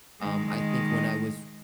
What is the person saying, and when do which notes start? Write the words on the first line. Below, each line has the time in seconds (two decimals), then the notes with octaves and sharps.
Um, I think when I was,
0.20 D#3 G#3